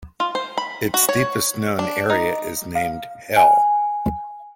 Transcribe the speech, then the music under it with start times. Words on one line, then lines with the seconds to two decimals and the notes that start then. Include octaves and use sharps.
Its deepest known area is named "Hell".
0.20 F4
0.35 C5
0.58 B5
0.94 F#4
1.09 C#5
1.79 D4
2.10 D#4
2.75 F5
3.36 G#5